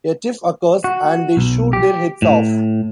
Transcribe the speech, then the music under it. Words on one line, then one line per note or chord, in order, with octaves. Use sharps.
A tiff occurs, and they shoot their heads off.
F#4
B1
G4
A2